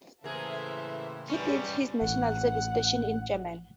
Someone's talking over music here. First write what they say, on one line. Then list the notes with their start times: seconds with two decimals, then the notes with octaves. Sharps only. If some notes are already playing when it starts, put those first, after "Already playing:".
He did his National Service stationed in Germany.
0.24 A2 C#3 E3 A#3 G#4 A4 C5 E5
1.30 G3 C#4 B4
2.02 A1 F#5